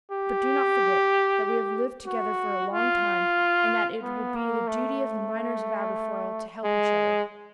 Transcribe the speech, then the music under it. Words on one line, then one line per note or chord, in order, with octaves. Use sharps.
But do not forget that we have lived together for a long time, and that it will be the duty of the miners of Aberfoyle to help each other.
G4
F#4
F4
B3
A#3
A3
G#3